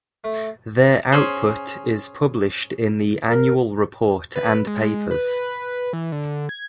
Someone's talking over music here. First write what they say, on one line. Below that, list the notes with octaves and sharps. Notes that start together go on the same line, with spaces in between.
Their output is published in the annual report and papers.
A3
C#4 G#4 C5
A#4
B4
G#3
B4
E3
D3
G#6